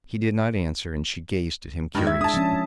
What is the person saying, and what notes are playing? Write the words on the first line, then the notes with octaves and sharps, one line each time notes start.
He did not answer, and she gazed at him curiously.
G2 D#3 G#3
E5 G#6
D4 A5 D#6
F3 C#4